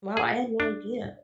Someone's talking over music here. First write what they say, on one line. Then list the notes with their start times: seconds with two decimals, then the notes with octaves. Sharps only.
Wow, I had no idea.
0.17 G#4
0.60 D4